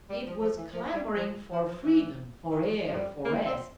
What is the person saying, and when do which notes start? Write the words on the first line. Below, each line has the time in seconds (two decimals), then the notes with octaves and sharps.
It was clamouring for freedom, for air, for rest.
0.10 G3
0.26 F3
0.41 F3
0.57 E3
0.73 F3
0.93 G3
1.15 F3
1.52 F3
1.68 F3
1.84 E3
2.51 E3
2.63 F3
2.88 F3
2.94 G3
3.25 A#3
3.46 C4